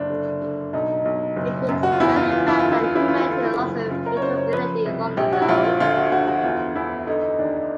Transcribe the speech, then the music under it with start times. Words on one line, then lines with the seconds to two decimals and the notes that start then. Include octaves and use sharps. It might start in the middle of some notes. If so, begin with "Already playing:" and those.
It is generally felt that humanity lost its vitality long ago.
Already playing: F#1 D4
0.10 D3
0.42 D3
0.73 B1 D#4
1.05 B1
1.36 F#1
1.69 F#2
1.83 F#4
1.92 F4
2.00 E2 E4
2.16 F4
2.32 E3 F4
2.48 E4
2.59 D2 F4
2.72 E4
2.84 F4
2.95 E3 E4
3.08 F4
3.20 E4
3.27 D3 F4
3.43 E4
3.59 F#1
3.90 C#3 F4
4.06 A#4
4.17 C#5
4.22 C#3 C5
4.37 C#5
4.53 F3 B4
4.86 C2
5.17 A#1 G4
5.33 F#4
5.42 E4
5.49 A#1 F4
5.64 F4
5.80 D2 F4
5.97 F#4
6.12 D2 F#4
6.28 F#4
6.44 E2 F4
6.75 E2 E4
7.07 D3 D#4
7.38 D#2 D4